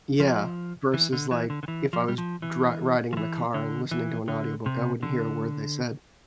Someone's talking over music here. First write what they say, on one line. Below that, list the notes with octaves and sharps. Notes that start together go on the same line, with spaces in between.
yeah, versus, like, if I was dri riding in the car and listening to an audiobook, I wouldn't hear a word they said.
F3
E3
D3
E3
D3
D3
E3
F3
G3
F3
E3
F3
E3
D3
E3
D3
C3
D3